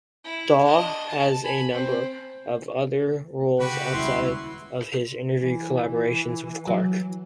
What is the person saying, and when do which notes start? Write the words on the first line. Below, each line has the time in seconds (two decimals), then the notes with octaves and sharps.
Dawe has a number of other roles outside of his interview collaborations with Clarke.
0.24 E4
0.65 D4 D#5
1.08 A5
1.43 G#5 B5
1.73 C4
3.60 C#3 F#4 G4 B4 B5
3.93 D#1 C#2 G3 E4 C6
5.41 E3
6.67 F#3